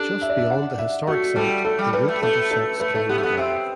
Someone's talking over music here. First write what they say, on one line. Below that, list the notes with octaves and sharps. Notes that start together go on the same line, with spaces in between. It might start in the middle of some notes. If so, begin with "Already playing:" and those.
Just beyond the historic site, the route intersects Canyon Drive.
Already playing: D4 G4 A4
E5
D5
E5
F#5
E5
A3 F#4
G3 A4
A3 A4
G3
G3 B4
A3
A3 A4
A4
A3 B4
A3 A4
B3 G4
A3
B3 A4
C4 E5